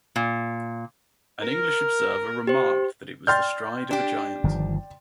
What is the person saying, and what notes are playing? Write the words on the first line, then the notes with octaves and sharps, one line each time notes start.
An English observer remarked that it was the stride of a giant.
A#2
A#4
G4 C5
D5 G5 C6 F6 G6 A6
D4 G4
G1 D#3 F3